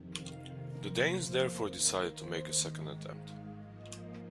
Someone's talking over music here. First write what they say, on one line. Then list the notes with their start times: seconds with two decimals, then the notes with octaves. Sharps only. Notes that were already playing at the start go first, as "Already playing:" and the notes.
The Danes therefore decided to make a second attempt.
Already playing: F2 C3 D#3
0.09 F5
0.59 F2 C3 F3 A#3 A#4
1.09 C5
1.59 D#2 D#3 A#3 A#4
2.09 C5
2.59 G#2 D#3 G#3 D#5
3.09 F5
3.59 G#2 F3 A#3 D#5